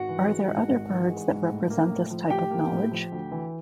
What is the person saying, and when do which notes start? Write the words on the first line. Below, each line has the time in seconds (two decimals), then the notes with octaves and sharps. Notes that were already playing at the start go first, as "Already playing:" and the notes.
Are there other birds that represent this type of knowledge?
Already playing: G#1 F#4 F#5
0.09 E3
0.29 G#3
0.49 G#2
0.69 G#1
0.89 E3
1.09 G#3
1.30 G#2
1.50 A2
1.70 A#3
1.90 A2
2.10 F3
2.30 A2 G4 G5
2.51 A#3
2.71 A2
2.91 F3
3.12 D2
3.31 E3